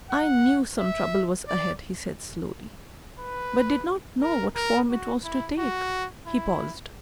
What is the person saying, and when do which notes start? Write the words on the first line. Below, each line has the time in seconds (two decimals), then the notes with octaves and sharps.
"I knew some trouble was ahead," he said slowly, "but did not know what form it was to take." He paused.
0.10 F#5
0.79 E5
1.48 D5
3.19 B4
4.22 A#4
4.56 A#4
4.90 F#4
5.24 E4
5.58 F#4
6.27 E4